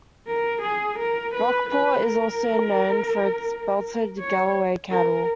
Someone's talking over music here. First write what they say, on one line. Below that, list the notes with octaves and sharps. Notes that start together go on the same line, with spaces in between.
Rockport is also known for its Belted Galloway cattle.
A#4
G#4
A#4
B4
B4
A#4
C#5
A#4